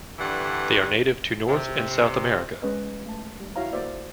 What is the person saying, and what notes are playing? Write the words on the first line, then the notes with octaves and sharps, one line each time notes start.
They are native to North and South America.
G2 D3 E3 F#5
C3
G#3 C#4 B4 D#5
A3 A5
G3
E4 F#4 C#5 F5 A#5
A#3 F#4 C5 D5 E5